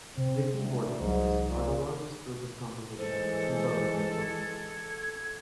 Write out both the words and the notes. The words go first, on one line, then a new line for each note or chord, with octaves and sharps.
The keyboard pieces are the largest group of compositions in both Notebooks.
C3 C4
D2
C2 G#2 E3 F#3
A#2
E3 G#3 A4 C5
G#6